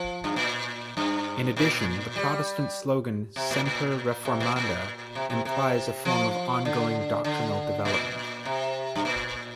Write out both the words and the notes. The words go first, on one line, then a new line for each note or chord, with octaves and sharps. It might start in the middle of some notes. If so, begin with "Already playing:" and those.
In addition, the Protestant slogan Semper reformanda implies a form of ongoing doctrinal development.
Already playing: F3
G2
A#2
G2
A#2
G3
C3
A#2
A#2
C3
A#2
A#2
C3
C3
C3
F3
D3
D3
A#2
C3
G2
A#2